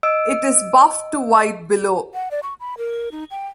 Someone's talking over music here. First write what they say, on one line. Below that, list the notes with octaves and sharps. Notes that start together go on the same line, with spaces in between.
It is buff to white below.
D#5 E6 D7
F#5
D5
C#6
B5
A#4
D#4
G5